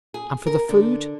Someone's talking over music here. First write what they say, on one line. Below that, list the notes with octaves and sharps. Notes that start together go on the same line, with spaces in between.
And for the food!
G#4
A#4
D3